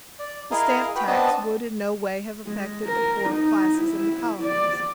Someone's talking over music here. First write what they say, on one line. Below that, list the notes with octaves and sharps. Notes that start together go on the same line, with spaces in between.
The stamp-tax would in no way have affected the poorer classes in the colonies.
D5
E4 G#4 A#4 D#5 F5 A#5
F#4 B4 G5 B5
B3 C4 D4 D#5 A5
G#3
A#4
D#4
E4
D5